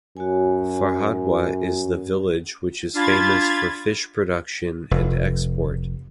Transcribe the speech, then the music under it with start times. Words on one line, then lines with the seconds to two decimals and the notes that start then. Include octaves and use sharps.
Farhadwa is the village which is famous for fish production and export.
0.17 F#2 F#4 C#5 G#5
2.95 D4 F4 B5 G#6 A6
4.91 F1